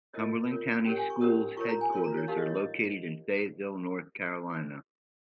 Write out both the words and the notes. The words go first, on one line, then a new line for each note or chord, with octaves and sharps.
Cumberland County Schools' headquarters are located in Fayetteville, North Carolina.
F4 A#4 C#5 D#5
F4 A#4 C#5
C#4 G4 A#4 C#5 G5
G#5
C#6
C#4 G4 A#4 C#5 D#6
F4 A#4 C#5 C#6
A#5
G#5
F4 A#4 C#5 C6
A#5
C#5
D#4 G4 A#4 F5
D#5
C#5
D#5